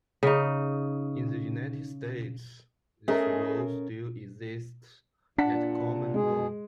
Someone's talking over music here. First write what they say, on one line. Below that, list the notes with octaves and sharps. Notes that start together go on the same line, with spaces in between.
In the United States, this rule still exists at common law.
C#3 D#4
A3 C#4 G#4 A#4 C5 D#5
A#2 D4 F#5 A5 B6
B2 G#3 G#4